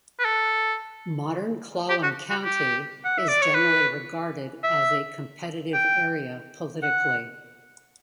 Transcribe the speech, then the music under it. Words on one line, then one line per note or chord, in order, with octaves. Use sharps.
Modern Clallam County is generally regarded as a competitive area politically.
B4
A4
G4
F#4
F#4
G4
F#5
E5
D5
C#5
B4
E5
G5
F#5